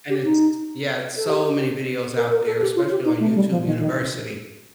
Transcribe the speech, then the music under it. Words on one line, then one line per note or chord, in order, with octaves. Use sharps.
And it's, yeah, it's so many videos out there, especially on YouTube University.
G4
D#4
A4
G4
A#4
A#4
A4
G4
F4
G4
D#4
A3
G3
F3
D#3
D#3